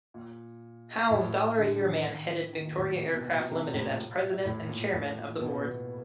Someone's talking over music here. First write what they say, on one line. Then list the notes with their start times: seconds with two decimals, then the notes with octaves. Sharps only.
Howe's "dollar-a-year men" headed Victory Aircraft Limited as president and chairman of the board.
0.14 A#2
1.10 A2
1.58 D3
1.82 D#3
1.96 E3
2.06 D#3
2.53 D#3
2.65 A#2
2.77 A2
3.01 C3
3.14 B2
3.26 A#2
3.38 B2
3.49 C3
3.61 A#2
3.73 A2
3.86 A#2
4.45 A2
4.69 A#2
4.93 A2
5.17 A#2
5.41 B2
5.64 B2